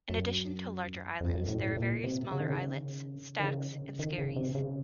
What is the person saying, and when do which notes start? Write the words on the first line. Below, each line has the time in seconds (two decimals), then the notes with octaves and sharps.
In addition to the larger islands thare are various smaller islets, stacks and skerries.
0.10 F#2
1.21 F2
1.34 F#2
1.48 A2
1.63 A2
1.77 A#2
2.04 C3
2.32 C#3
2.40 D#3
2.50 C#3
3.40 D#3
3.43 C#3
3.99 D#3
4.18 C#3
4.36 C3
4.55 C#3